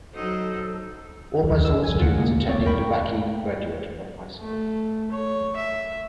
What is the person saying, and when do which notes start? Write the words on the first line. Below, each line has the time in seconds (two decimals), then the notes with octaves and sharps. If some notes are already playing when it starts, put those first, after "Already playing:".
Almost all students attending DeBakey graduate from high school.
0.13 F#3 D#4 A4 C5
1.63 E3 E6
1.83 G#5 G#6
1.99 F4 F#5
2.16 A#2 D3 G#3 A#3
2.48 C4 C#5 D5
2.65 A#4 G5 B5 C#6
4.41 A3
5.11 C#5
5.56 E5